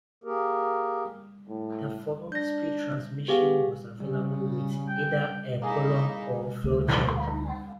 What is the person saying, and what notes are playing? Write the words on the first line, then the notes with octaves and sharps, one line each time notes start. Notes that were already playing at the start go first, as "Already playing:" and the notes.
The four-speed transmission was available with either a column or floor change.
A#3 G4 G#4 A#4
A2
D4 G6 A#6
B3 G4 G#4 F5
C#3 G3
G5
A#3 D#4 E4 G#4
D2 A3